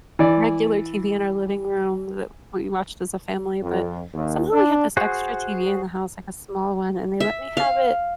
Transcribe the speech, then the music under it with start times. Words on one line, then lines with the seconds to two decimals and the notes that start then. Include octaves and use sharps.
regular TV in our living room that we watched as a family, but somehow we had this extra TV in the house, like a small one, and they let me have it
0.19 E3 D5
3.62 F2
4.13 D#2
4.52 D4
4.97 F#4 G#4 C5 F#5
7.20 E5
7.57 F5